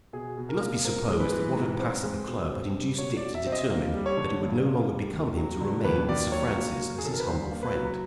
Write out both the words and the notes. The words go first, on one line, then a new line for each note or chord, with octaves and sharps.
It must be supposed that what had passed at the club had induced Dick to determine that it would no longer become him to remain with Sir Francis as his humble friend.
B2 G#4
B2
A#4
A#3
C4 A#4
G#3
B4
E3
G#2
C4
G#3
B2
C4
G3
B2 C#5
D5
B2
E5
C4
D#5
A#3
G3
C#5
D3
G2
A#3
G3
D#2
F#3
D3
D#2 B4
D#2 D5
F#3 C#5
A#3
F#3
G#4
D#3 A4
A#4
B4
G2 C5
A#3
B4
F#3